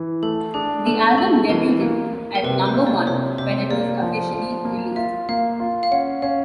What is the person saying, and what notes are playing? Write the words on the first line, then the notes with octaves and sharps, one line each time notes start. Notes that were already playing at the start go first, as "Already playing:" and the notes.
The album debuted at number one when it was officially released.
Already playing: E3
A3 A4
D4 G#4
A3 A4
A3 A4
E3 A#4
A#3
A#3
A#4
C3 B4
C5
A#3
D5
C3 C#5
C3 C5
A#3 D5
F3
F3
A#3
F4 E5
A#3 F5
F4
F5
C#4 F#5
C#4 F5